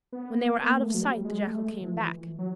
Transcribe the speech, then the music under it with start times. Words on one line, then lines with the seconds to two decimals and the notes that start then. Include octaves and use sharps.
When they were out of sight the jackal came back.
0.13 B3
0.46 A#3
0.56 B3
0.66 A#3
0.80 A3
0.94 F#3
1.02 G3
1.25 G#3
1.47 A3
1.81 E3
1.89 F3
1.97 E3
2.39 F#3